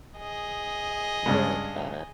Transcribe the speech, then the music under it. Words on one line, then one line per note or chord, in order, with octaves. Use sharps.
but, uh,
G#4 D#5
G2 C#3 G#3